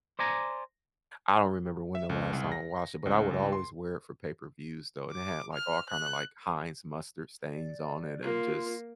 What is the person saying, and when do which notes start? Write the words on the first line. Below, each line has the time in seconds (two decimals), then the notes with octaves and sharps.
I don't remember when the last time I watched it but I would always wear it for pay-per-views, though, and it had, like, all kinda, like, Heinz mustard stains on it and just
0.19 C5 D5 G#5 A#5
1.95 E5
2.09 C#2
2.33 C2
2.52 A#6
3.05 C#2
3.31 C#2
3.52 C6
5.11 D6
5.53 F6
5.89 F#6
7.51 D5
8.22 A#3 F4